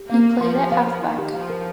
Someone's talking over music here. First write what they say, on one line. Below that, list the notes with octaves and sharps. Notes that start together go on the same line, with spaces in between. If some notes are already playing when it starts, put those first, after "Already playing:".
He played at Half Back.
Already playing: G4
A#3 F5
A#4
F3 C6
G4
F5
A#4
D#3 C6
G4
F3 F5
A#4